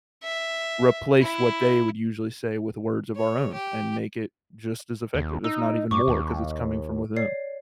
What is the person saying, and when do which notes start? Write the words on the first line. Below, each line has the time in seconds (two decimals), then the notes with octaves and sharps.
replace what they would usually say with words of our own and make it just as effective, if not even more 'cause it's coming from within.
0.23 E5
1.21 E4
3.15 C#5
3.53 G4
5.14 D#2
5.44 D#4 E6
5.91 G2 C#6 D6
6.08 D#2
7.17 C#5 D5 C7